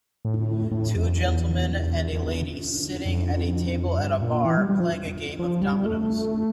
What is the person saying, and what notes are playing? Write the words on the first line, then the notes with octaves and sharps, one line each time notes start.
Two gentlemen and a lady sitting at a table at a bar playing a game of dominoes.
A2
A2
F2
E2
E2
E2
F2
G2
A#2
E3
G3
G3
F3
F3
G3
A3